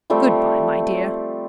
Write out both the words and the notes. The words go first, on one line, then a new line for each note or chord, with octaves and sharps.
Good-by, my dear.
F3 G3 A3 C4